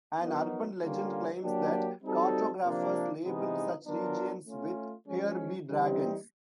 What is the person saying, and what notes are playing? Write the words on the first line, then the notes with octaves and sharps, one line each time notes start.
An urban legend claims that cartographers labelled such regions with "Here be dragons".
F#3 B3 D#4 F#4 A#4
D3 G3 A#3 C#4 F4
F#3 A#3 D4 G4
G3 C4 D#4 F#4 A4
C3 F3 A#3 D4
C3 E3 G#3 B3 D#4
F#3 B3 D4 F4 A#4
A3 C#4 F4
F3 G#3 C#4
E3 G3 C4 D#4 G4